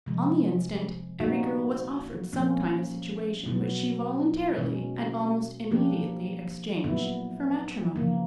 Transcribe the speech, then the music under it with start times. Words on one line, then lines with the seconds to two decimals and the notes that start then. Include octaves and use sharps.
On the instant, every girl was offered some kind of situation, which she voluntarily and almost immediately exchanged for matrimony.
0.06 C3 F3 G#3
1.20 A#2 G3 A#3 D#4 F#4
2.32 A#2 F3 A#3 C#4
3.46 B2 F#3 B3
4.58 B2 G#3 C#4
5.71 F3 A#3 D4 G4
6.84 A#2 F#3 B3 E4
7.96 C#3 F3 A#3